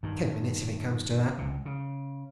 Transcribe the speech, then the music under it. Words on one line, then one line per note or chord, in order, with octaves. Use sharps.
"Ten minutes, if it comes to that."
G2 D#3
C#2 C3
C#3